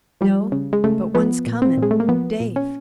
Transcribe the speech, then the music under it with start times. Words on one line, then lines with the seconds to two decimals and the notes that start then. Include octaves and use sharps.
"No, but one's comin'--Dave."
0.21 F3 G3
0.52 C#3
0.73 G#3
0.84 C#3 A3
1.15 F3 B3
1.47 A#2
1.62 C4
1.77 A#2 G#3
1.91 A3
2.00 A#3
2.08 F3 B3
2.40 A#2
2.56 C#4